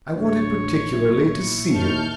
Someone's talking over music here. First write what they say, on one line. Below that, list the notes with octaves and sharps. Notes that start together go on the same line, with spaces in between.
I wanted particularly to see him.
A1 D2 C#5
B1 A#2 E4 C#6
D#2 A5 F6 G6